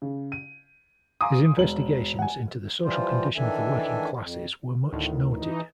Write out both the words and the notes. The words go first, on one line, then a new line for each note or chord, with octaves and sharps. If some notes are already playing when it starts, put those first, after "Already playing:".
His investigations into the social condition of the working classes were much noted.
C#3
D#7
F5 G#5 A#5 C6 D6 D#6
E1 F#7
F#5 G#5
E3 F3 G3 F4 C5
D#3 E3 D4 A4 E5 G#5
F2
D2 A2 D#3
E3 D#4